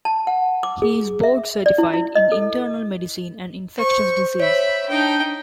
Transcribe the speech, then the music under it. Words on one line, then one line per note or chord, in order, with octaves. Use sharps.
He is board certified in internal medicine and infectious disease.
A5
F#5
D6
G#4
E5
D5
E4
E4
D#5
A4
C5 C#6
C#5 E5 B5
D4 D#4 G5